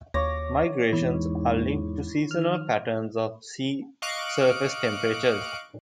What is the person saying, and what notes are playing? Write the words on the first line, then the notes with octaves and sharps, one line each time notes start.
Migrations are linked to seasonal patterns of sea surface temperatures.
D#2 C#5 D6 A#6
E2 G#2 E4
D#3 F6
D#5 F5 C#6 D6 F#6 D7